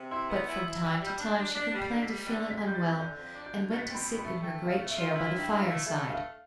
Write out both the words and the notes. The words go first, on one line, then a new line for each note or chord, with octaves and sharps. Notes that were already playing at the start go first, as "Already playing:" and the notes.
But from time to time she complained of feeling unwell, and went to sit in her great chair by the fireside.
Already playing: C3
E4 C6
B3
E4
E4
G3 E6
G3
G6
D4
A6
D4
D4 B6
G3
C7
D3
B6
G3
D3 A6
F2
B6
G3
G6
A6
F2
D3 G6
F2
D4
G6
D3
B2 A6
B6
C4 A6
B5
B2
B5
A3
A3 G5
B2
F5
A3
E5
F4
E4 F5
G2
G5
E4
F5
A3
A3 E5
G2
F5